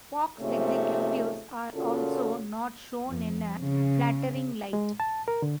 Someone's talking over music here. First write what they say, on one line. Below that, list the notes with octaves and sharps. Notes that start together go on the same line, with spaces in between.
Fox executives are also not shown in a flattering light.
G#2 C3 F3 A3 A#3 C#4
A#2 C#3 C#4 F4 F#4 A4
F2
C#3
G#3
A5
A#4
D3